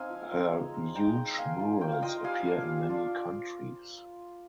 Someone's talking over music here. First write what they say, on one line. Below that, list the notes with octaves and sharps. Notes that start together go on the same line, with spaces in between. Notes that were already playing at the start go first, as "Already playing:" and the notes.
Her huge murals appear in many countries.
Already playing: C4 D#4 F5 G#5
F3
C4 D#4
G#3
D#4
G#3 G5 A#5
D#4
A#3 F5 G#5
F4
A#3 G5
F5
F4 D#5 G5
G3 F5 G#5
D4 F4
G3
D4 F4